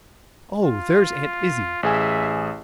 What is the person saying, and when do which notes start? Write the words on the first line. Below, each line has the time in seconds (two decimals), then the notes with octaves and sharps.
Oh, there's Aunt Izzie!
0.63 F4
1.83 A1 G#4 E5 G#5